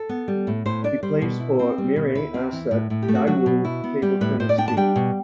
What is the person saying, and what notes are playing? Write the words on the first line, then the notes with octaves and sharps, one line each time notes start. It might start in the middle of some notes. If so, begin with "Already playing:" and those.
He plays for Mirae Asset Daewoo table tennis team.
Already playing: A4
B3
G3
A2
A2 C5
D4 D5
G3 C5
B2
E4
C4
G3
B2
E4 B4
C4
E3
A2
A2
G4
A3
F#4
F#3 F#4
B2
E4
B3
G3 G4
A2 B4
A2 C5
D5
D4 G5
A5
G3 G5
B2